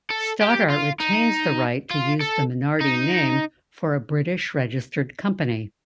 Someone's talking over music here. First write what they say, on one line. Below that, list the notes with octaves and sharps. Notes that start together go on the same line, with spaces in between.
Stoddart retains the right to use the Minardi name for a British-registered company.
A4
G4
F4
D#4
F4
A4
D#4